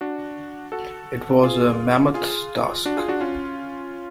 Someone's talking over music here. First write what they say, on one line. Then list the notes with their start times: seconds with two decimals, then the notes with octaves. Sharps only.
It was a mammoth task.
0.01 D4 F#4
0.72 F#4 A4
1.43 F4 G#4
2.14 F4 G#4
2.86 D4 F#4
2.97 F4 G#4
3.08 D4 F#4
3.20 C#4 F4